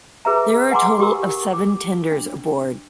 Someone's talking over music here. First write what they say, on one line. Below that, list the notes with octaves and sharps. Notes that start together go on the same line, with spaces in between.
There are a total of seven tenders aboard.
G#4 B4 E5 A#5
F#5 G#5 A#5 C6 D6
G4 A#4
D6
D4